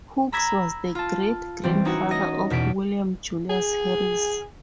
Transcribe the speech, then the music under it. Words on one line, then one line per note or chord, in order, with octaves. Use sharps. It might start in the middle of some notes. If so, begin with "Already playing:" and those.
Hooks was the great-grandfather of William Julius Harris.
A#5 B5 E6 G#6 A#6 B6
F4 A5
E3 G3 C4
C#4 D#4 E4 F#4 C#5
D#5 A#6
E2 B2 B6 D7
G#4